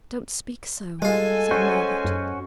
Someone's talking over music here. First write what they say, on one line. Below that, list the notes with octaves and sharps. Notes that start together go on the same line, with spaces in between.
'Don't speak so!' said Margaret.
G3 G#3 F4 A4 G#5
C#4 F#4 C5
F#2